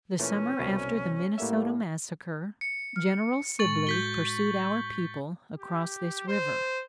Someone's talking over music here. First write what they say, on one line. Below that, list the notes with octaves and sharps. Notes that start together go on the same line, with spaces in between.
The summer after the "Minnesota massacre," General Sibley pursued our people across this river.
A#2 E3 A3 C#4
C2 B2 C#5
A2 G3 A3 A#3 E5
C#7
F6
A2 G#3 C#6 A6 F#7
F#4 G6 B6 G7
G4
C5